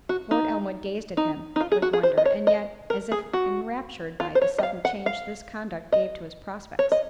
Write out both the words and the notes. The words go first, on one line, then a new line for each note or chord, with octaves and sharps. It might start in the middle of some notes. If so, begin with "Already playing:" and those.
Lord Elmwood gazed at him with wonder! and yet, as if enraptured by the sudden change this conduct gave to his prospects.
F#4
D#4
D#4
D#4
F4
G#4
F#4
G#4
C5
D#5
C#5
D#5
A#4
G#4
F#4
F4
C5
C#5
D#5
F5
F#5
F5
D#5
C#5
D#5